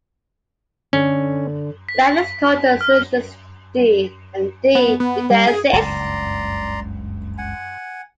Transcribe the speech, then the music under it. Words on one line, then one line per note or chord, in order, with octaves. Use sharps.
Let us call the solutions "d" and "d", if they exist.
D3 C#4
B6
F6
B3
B3
G3
G#4
F#1 C#2 G2 D5 A#5 C6
F#5 G#5